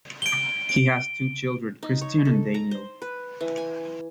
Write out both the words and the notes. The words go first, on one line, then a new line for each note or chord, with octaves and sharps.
He has two children, Christian and Daniel.
D7 G7
D7
D#4
C#5
A4
A#5
C5
B4
E3
G#5